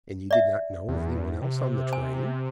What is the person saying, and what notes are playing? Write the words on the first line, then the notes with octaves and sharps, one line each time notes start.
"And you did not know any one else on the train?"
D5 E5
E2
C3
G#5